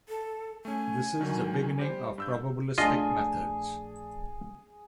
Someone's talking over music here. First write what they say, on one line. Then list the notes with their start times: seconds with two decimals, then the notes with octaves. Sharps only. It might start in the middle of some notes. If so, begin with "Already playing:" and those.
This is the beginning of probabilistic methods.
0.09 A4
0.65 A3 C#4 G#5
1.19 D3 D#3 F#3
1.78 G3 G4 C5
2.18 G2 E6 G6
2.78 A#1 A3 D4 F4 G#4 D#5 G#5